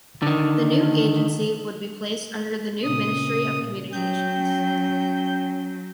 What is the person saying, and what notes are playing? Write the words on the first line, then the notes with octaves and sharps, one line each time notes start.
The new agency would be placed under the new Ministry of Communications.
D3 D#3
A#2 C#3 D#6
F#3 C#4 G5 G6